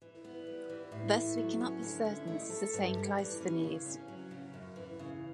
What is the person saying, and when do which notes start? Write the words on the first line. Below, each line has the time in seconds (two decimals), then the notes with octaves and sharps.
Thus we cannot be certain this is the same Cleisthenes.
0.02 E3
0.25 B3
0.47 G3
0.69 E3
0.92 A2
1.15 A3
1.38 F#3
1.61 C#4
1.83 D3
2.05 E4
2.27 A3
2.50 A4
2.74 G2
2.95 G3
3.18 E3
3.40 C#4
3.63 C#3
3.86 C#4
4.08 F#3
4.31 C#3
4.54 F#2
4.76 E3
4.99 C#3